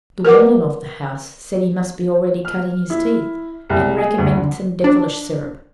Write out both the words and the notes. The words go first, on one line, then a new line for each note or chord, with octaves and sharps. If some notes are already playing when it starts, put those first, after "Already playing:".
The woman of the house said he must be already cutting his teeth, and recommended some devilish sirup.
A#4 B4 F#5 D6
F6
E4
C2
G#4
D2
D3
D4